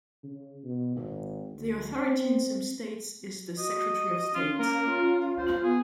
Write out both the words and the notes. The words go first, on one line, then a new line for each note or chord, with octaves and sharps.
The authority in some states is the Secretary of State.
C#3
B2
G#1
D2
C4
F#4 D#5
C#4 F4
A#3 A#4
F4
C5
B3 G#4